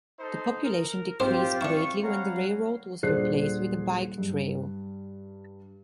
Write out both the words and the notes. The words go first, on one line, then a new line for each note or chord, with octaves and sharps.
The population decreased greatly when the railroad was replaced with a bike trail.
D#4 A4 C5
A#4
G#2 C4 F4 G4 C5
D4 E4 C#6
G3 C#5 F5 F#5 A#5
D#1 D4 G#4 C5 F#6 C7
G2